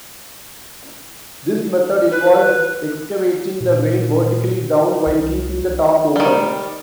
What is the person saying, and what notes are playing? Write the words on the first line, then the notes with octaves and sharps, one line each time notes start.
This method involved excavating the vein vertically down while keeping the top open.
B4
A#2
C2
D#3 G3